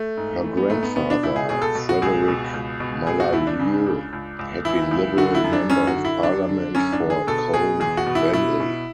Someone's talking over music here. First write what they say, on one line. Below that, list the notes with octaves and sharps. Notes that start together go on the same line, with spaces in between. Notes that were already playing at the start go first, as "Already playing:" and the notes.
Her grandfather, Frederick Mallalieu, had been Liberal Member of Parliament for Colne Valley.
Already playing: A3
G#2
E3 A3
B3
G#2 A3
B3
B2 B3
D4
C#2 E4
G#4
B2 G#4
A4
B2
F#4
C#2 G#4
B2
C#2
B2
C#2 G#4
F#4
C#2 E4
D4
C#3
C#2
C#2
C#2
E3 E4
C#2
D3 F#4
E4
F#2
D4
F#2 C#4
F#4
D3
E4
F#2 D4
D3
F#2 C#4
D4
D3
G#4
B2 A4
B2 G#4
E2 G#4
F#4
B2
E4
B2 E4
B2